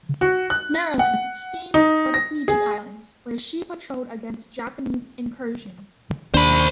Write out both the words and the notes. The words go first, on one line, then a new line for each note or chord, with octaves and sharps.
"Maryland" steamed for the Fiji Islands where she patrolled against Japanese incursion.
F#4
F#6
F#5
D#4
A#6
G#4
D#2 D4 C5 B5